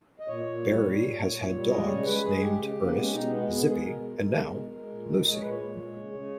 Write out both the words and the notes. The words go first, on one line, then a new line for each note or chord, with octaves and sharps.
Barry has had dogs named Earnest, Zippy, and now Lucy.
D#5
A#2 C#5
A#2
G3
A#2
A#2
A#2
A#2
G3
G#3 D#5
C#3 C#5
G#3 B4
G#3 G#4
G#3 G4
C#3
C#3
A#3
G#3 B3
C#4
B2 D#4
G#3 B3
B2 B3
G#3 G#4
B2 A#4
G#3
G#3
B2
G#3
G#3
A#2
G#3
G#3 D#5
C#5
A#2 B4
C#5
A#2
G#3
C#3
C#3